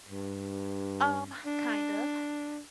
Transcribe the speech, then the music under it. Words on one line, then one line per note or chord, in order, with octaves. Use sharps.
Um, kind of,
G2
D4